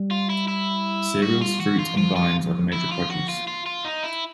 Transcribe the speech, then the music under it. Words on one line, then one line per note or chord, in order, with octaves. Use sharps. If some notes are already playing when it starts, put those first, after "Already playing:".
Cereals, fruit and vines are the major produce.
Already playing: G3
F4
E4
E4
G3 F#4
F4
E3 F#4
F4
F3 F4
F4
E4
F4
F#4
F4
F4
F4
D#4
E4